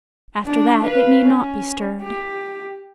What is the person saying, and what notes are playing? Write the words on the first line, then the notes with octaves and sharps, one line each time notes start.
After that it need not be stirred.
D4
B4 F5
C#4
G4